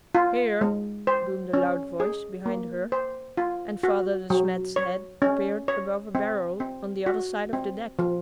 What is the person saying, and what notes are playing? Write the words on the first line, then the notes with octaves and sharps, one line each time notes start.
"Here!" boomed a loud voice behind her, and Father De Smet's head appeared above a barrel on the other side of the deck.
F4
G#3
C5
C#4
G#4
A#3
C5
F4
F#4
F#3
C#5
C#4
C#5
C4
C4
F#4
C4
F3